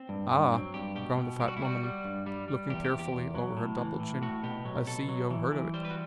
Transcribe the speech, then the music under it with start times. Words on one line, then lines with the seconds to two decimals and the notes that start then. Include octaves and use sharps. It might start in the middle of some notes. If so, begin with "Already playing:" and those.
"Ah!" groaned the fat woman, looking tearfully over her double chin, "I see you have heard of it."
Already playing: C4
0.09 G2
0.31 G2
0.52 F#3 C4
0.74 G2 G4
0.96 B2 G4
1.18 B2
1.40 G3 G4
1.48 F#4
1.57 E4
1.61 G3 F#4
1.83 G3
2.05 G2
2.26 G3
2.48 G3
2.69 E2 G4
2.84 G4
2.91 E2
2.99 G4
3.13 E2
3.35 F#3
3.57 A2
3.78 E3
4.00 A2
4.22 A2 F#4
4.43 B2 G4
4.65 F#3
4.87 B2 A4
5.09 F#3
5.30 E3
5.52 E3
5.74 G3 C5
5.85 B4
5.90 F#4